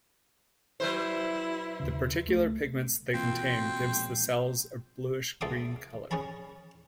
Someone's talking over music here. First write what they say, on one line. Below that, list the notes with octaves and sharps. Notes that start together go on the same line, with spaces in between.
The particular pigments they contain gives the cells a bluish-green color.
F#3 E4 B4 C5
D#2 C#3
C#2 A3
E3 A#3 C4 F4
B2 F#4
A#2 F3 G#3
C#2 A4 E5 C6 D6 D#6
C#4 G#4 C#5 A5 B5